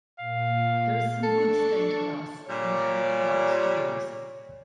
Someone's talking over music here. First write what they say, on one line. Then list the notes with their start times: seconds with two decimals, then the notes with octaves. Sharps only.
There is some good stained glass from the Harry Clarke studios.
0.19 A#2 F5
1.23 D4 A4 C#6
2.48 A#2 G3 C#5